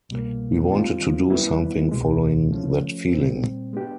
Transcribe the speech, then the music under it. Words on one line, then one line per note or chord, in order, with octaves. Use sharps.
We wanted to do something following that feeling.
C2 B2 G3 A#3
D#3 G3 C4 F4
G3 B3 E4
C#2 B2 G#3
F3 A3 C#4
A#2 G3 C4
G#3 B3 D4 G4